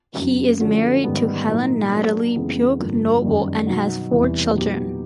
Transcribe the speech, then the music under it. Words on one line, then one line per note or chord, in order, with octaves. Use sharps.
He is married to Helen Natalie Pugh Noble and has four children.
F#2 C#3 F#3
D3 F3 A3 C#4 F#4
G#2 D#3 G3 B3
A#2 F#3 A#3 D#4
F#3 A#3 D4
F2 C#3 E3 G#3 B3
G2 D3 F3 A#3
F#2 D#3 G3
B2 F#3 B3 D#4 F#4
E2 C3 E3 G3
A#2 F#3 B3 D#4 G4